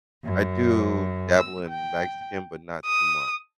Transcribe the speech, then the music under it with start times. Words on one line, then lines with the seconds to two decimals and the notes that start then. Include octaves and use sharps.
I do dabble in Mexican, but not too much.
0.23 F#2
1.39 E6
1.68 G5
2.86 D#6